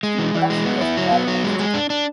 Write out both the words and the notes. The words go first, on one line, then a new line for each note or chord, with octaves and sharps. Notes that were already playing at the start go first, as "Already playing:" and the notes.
Steel production was prioritized.
G#3
E3
E3
G#3
B3
E4
F#3
B3
F#3
G#3
G#3
D4
D4